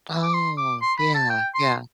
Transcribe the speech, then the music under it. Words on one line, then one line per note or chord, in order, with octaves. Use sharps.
Oh, yeah, yeah.
D6
C6
D6
C6
B5
A5
G5
C6